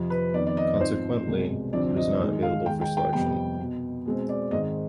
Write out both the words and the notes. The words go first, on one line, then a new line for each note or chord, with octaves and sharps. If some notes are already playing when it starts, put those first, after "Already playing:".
Consequently, he was not available for selection.
Already playing: F2 C3 F3
B4
F2 D#3 B3 D5
D5
D#5
G#2 F3 C4 C5
C2 B2 G#3
D2 C3 F3 C4 D5
D#5
G#2 D#3 G#3 D#5
F5
D#2 D#3 G#3 G5
G5
G5
F2 C3 G3 B3 G5
B2 B3
B2 G#3 C4
D5
G#2 D#3 G#3 C4 D#5